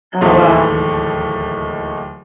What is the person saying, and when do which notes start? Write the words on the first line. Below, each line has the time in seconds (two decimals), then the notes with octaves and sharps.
Oh wow.
0.21 D1 D#2 E3 A3 D#4 C6